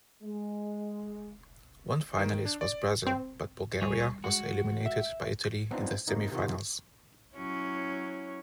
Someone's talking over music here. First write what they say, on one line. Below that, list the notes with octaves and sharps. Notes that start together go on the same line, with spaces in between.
One finalist was Brazil, but Bulgaria was eliminated by Italy in the semifinals.
G#3
D#3
D4
D5
C4
D2 G3 G#4 C#5
G#3 F#4
E5
B3 C4 D4 D#4 F4
C3 A#3 D#4
C3 D#3 F4 F#4
F#3 C#4 E4